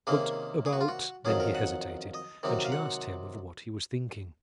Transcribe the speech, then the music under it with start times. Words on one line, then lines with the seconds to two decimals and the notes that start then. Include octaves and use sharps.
"But about--." Then he hesitated, and she asked him of what he was thinking.
0.07 C3 D#3 A#3 C#4 G#4
0.66 G#4
0.73 F#4
0.81 F4
0.88 F#4
1.25 F2 D#3 F#3 C#4 G#4
1.40 A#4
1.55 F#5
2.14 D#5
2.43 C3 D#3 F#3 C4 D#4
2.65 F5
2.72 F#5